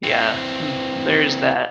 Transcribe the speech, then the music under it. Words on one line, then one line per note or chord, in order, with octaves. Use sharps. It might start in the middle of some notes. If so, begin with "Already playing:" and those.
Yeah, hmm, there's that.
E3 C4